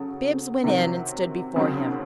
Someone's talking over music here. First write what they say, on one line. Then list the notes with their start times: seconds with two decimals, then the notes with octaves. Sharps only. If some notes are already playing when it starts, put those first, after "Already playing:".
Bibbs went in and stood before him.
Already playing: C#3 F#3 F#4 A4
0.64 C3 D#3 F#3 C4
1.56 D#2 C#3 F#3 C4